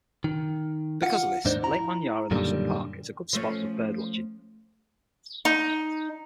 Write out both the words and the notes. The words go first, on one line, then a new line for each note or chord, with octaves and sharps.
Because of this Lake Manyara National Park is a good spot for bird watching.
D#3
F4 F#5
D#2 G#2 D4 D#4 C5
E4 A#5
F#2 A#2 D3 D#3 G3
F3 A3 C#4
D#4